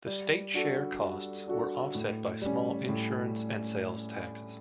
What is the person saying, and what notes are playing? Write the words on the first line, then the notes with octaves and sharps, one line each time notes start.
The state share costs were offset by small insurance and sales taxes.
G3
D4 F#4 A4
G3
D4 F#4 A4
A2
G3 C#4
A2